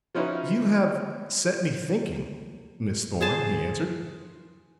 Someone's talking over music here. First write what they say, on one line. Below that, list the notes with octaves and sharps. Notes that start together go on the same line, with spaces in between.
"You have set me thinking, Miss Thorn," he answered.
F3 C#4 D#4 E4 F#4 B4
G#4 C5 A5